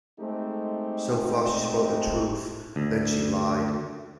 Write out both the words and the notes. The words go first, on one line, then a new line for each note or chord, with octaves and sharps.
So far she spoke the truth; then she lied.
G#3 A3 C4 D#4 G4
D2